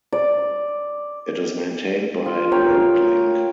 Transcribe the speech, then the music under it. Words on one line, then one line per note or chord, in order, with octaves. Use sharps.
It is maintained by RoadLink.
D5
F4
A#4 C#5 F5 G5